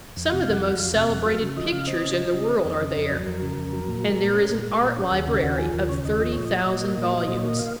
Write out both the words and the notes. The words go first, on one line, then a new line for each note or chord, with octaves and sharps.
Some of the most celebrated pictures in the world are there, and there is an art library of thirty thousand volumes.
F2
C3 F#5
F5
F2 F#5
F#3 F#5
F2 F5
C3 F5
F2 F#5
F#3 F5
C#3
F3 D#5
C#3 F5
C4 D#5
C#3
F3
C#3
C4
F2
C#3
F2
F#3
F2 A#4
C#3
F2
F#3
A#2
G#3
A#2
C#4
A#2
G#3
A#2
C#4
D#2 G#4
C#3 F#4
D#2 F#4
F3 G#4
D#2 A#4
C#3 C#5
D#2 D#5
F3 D#5
A#2 C#5
D#5
F#3
A#2
A#3
A#2
F#3
A#2 C5
C#5
A#3
D#5
F5